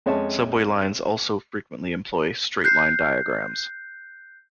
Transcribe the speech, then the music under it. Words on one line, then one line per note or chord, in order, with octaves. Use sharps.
Subway lines also frequently employ straight-line diagrams.
F2 G#3 C#4 C#5 E5 A5
F#6 G6 C7